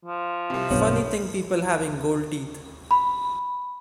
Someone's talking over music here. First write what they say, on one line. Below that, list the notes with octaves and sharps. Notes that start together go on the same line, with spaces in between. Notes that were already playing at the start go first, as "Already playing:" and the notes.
Funny thing people having gold teeth.
F3
C2 C3
B1 G2 B3 C#5
B5